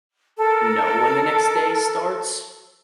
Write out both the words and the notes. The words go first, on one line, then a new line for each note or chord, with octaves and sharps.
know when the next day starts,
A4 A#4